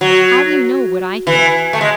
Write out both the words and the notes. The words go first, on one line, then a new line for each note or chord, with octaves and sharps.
'How do you know what I think?'
F#3
E3
A3
G#3